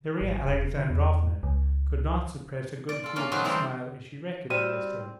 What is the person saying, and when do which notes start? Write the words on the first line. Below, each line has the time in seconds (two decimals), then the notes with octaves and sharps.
Darya Alexandrovna could not suppress a good-humored smile as she recognized him.
0.21 G#1
0.46 E1
0.76 D3
0.90 E2
1.43 C#2
2.89 D5
3.04 F4 A4
3.16 A3 A#3 C#4
3.32 D#3 F#3 G3 C4 F#4
3.44 C#3 E3 G3 A3 C4
4.50 G3 C4 F#4 F6 D#7 E7